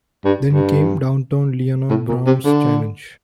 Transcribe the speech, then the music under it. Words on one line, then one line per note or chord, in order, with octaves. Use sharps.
Then came Downtown Leona Brown's challenge.
G2
G2
A2
A#2
C3
D3